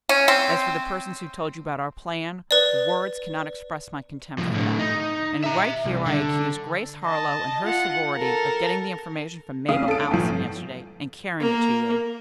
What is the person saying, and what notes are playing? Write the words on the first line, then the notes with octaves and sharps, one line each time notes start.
As for the persons who told you about our plan, words cannot express my contempt for them, and right here I accuse Grace Harlowe and her sorority of getting the information from Mabel Allison yesterday and carrying it to you.
C#4
C4
B4 D5
C2 F3
A2 D3
D#4
E5 A#5
C2
D3
D#5 A5
F4 F#5
A4 A#4
C2 C#3 F5 D#6
A4 D7
G1 A2 F3
A#3 A#4